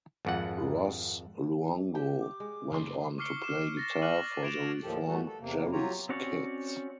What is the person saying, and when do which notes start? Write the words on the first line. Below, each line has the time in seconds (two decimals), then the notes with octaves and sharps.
Ross Luongo went on to play guitar for the reformed Jerry's Kids.
0.25 G#1 F2 F#5
1.95 G4
2.20 D6
2.40 G#3
2.72 F#1 C#2 C6
3.18 C#6 D6 F6 C7 C#7 G7
3.44 F6 E7
3.77 A6 A#6
4.02 D6 F6 F#6 D#7 F#7
4.43 G#6 A6 D7 E7 F7
4.83 D#2 A2 D#3 F3 G4 A4
5.07 E3 G3 A3 F#4 A4
5.27 A4
5.40 E2 C3 A#3
5.72 F#3 F4 G4 C#5 A#5
6.09 C4 C#4 F#4 C#5 D5